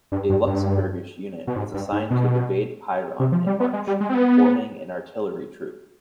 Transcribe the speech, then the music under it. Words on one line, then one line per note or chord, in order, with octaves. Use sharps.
A Luxembourgish unit was assigned to "Brigade Piron" in March, forming an artillery troop.
G2
G2
G2
B2
G#2
G2
G#2
B2
C3
F3
G3
B3
G#3
G3
G#3
C4
B3